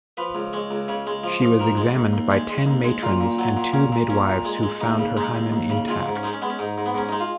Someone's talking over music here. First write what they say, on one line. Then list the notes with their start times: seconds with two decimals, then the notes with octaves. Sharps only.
She was examined by ten matrons and two midwives who found her hymen intact.
0.17 F3 B4
0.35 C#2
0.53 G#3 C#5
0.71 C#2
0.88 C#3 C#5
1.07 G#3
1.24 F3
1.42 F3
1.59 D#3 A#4
1.77 G#3
1.95 D#2
2.13 D#2
2.31 G#3 G#4
2.49 G#3
2.67 D#2
2.84 G#3
3.03 A#2 F4
3.21 A#2
3.39 F#3
3.57 A#2
3.73 A#2 C#4
3.92 A#2
4.09 A#2 C#4
4.28 A#2
4.45 G#3
4.63 G#3
4.81 D#2 D#4
4.99 C#3
5.17 G#3 D#4
5.35 D#2
5.52 D#2
5.70 C#3
5.88 G#3 F4
6.07 G#2
6.16 C#4
6.23 G#3 D#4
6.33 C#4
6.42 G#3 B3
6.50 C#4
6.59 G#2 D#4
6.78 G#2
6.86 B3
6.95 G#2 C#4
7.09 G#3 D#4
7.20 F4